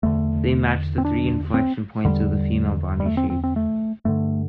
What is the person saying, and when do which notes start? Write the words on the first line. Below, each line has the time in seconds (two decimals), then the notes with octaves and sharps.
They match the three inflection points of the female body shape.
0.03 E2 D3 A3
0.98 C4
1.05 D4
1.54 C4
2.05 E2 D3 G3
3.00 G3
3.06 A3
3.17 C4
3.30 C4
3.44 C4
3.56 A3
4.05 G2 D3 A3